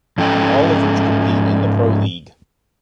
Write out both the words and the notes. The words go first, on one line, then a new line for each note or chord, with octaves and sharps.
All of which compete in the Pro League.
G#2 F3 C#4 A4 G5